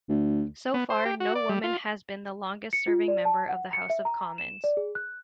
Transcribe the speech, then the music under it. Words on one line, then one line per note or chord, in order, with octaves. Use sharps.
So far, no woman has been the longest-serving member of the House of Commons.
D2
B3
C5
G4
F#4
D5
G3
F4
C#7
F4
D5
A5
F#5
C#7
E5
A#5
E7
D5
G#4
F#6